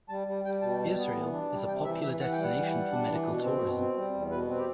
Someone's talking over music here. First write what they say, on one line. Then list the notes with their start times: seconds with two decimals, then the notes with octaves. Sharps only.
Israel is a popular destination for medical tourism.
0.09 G3 A5
0.27 G3
0.45 G3 G5
0.62 B2 A5
0.80 G3
0.97 B3
1.14 E3
1.32 D4
1.51 G3
1.68 C3 G5
1.85 E3 E5
2.03 E3 E5
2.20 E3 F#5
2.32 G5
2.38 G3
2.43 F#5
2.56 E3
2.73 G3
2.91 D4
3.08 E3
3.26 B2
3.43 C4
3.61 B2
3.79 C4
3.97 G3
4.14 E2
4.31 B2 B4
4.49 C4
4.58 G4